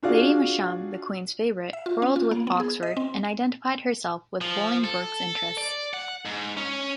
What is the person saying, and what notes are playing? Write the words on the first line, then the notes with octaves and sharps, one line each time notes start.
Lady Masham, the queen's favourite, quarrelled with Oxford and identified herself with Bolingbroke's interests.
D4 F4 F#4 G#4 D5 F5
E5
F4
C#4
F4
A#3
B3
G#4
D#5
C4
F3
A4
D5
F#5
G#2
C#4